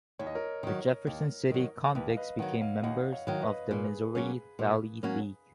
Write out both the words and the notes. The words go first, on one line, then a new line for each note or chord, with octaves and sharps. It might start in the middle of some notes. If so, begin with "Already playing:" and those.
The Jefferson City Convicts became members of the Missouri Valley League.
D#2 C#5
D#5
A#4 C#5
D#3 F#3
D#2
D#3 F#3
D#2 B4 D#5
F5
B4 D#5
D#3 F#3 D#5 F#5
C#5 F5
D#2 D#5 F#5
C#5 F5
D#3 F#3
B4 D#5
A#2 G#4 B4
F#3 A#3 C#4
A#2
F#3 A#3 C#4